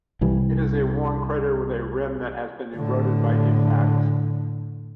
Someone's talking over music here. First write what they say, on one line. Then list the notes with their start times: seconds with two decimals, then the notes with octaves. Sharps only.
It is a worn crater with a rim that has been eroded by impacts.
0.21 C2 E3 G3
2.75 A2 D3